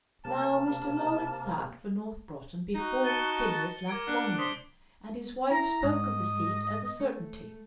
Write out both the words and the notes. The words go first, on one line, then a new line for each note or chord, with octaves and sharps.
Now Mr. Low had sat for North Broughton before Phineas left London, and his wife spoke of the seat as a certainty.
C3 A#3 A5
D#4 F#4
A5 C#7 D#7 G7
A#4 D6 G#6 D7
D4 F#5
C5 D#6 B6 G7
E4 A#5
G#2 D#5
A3